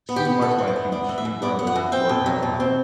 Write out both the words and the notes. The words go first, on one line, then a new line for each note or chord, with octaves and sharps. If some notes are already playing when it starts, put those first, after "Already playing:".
she's much like you, she'd rather work out like
B3
G4
B3
E3 A4
E3
C5
B3
B3 D5
E3
E5
E3
B3 D5
B3
F#5
E3
C4 G5
B2
F#3
B2
C4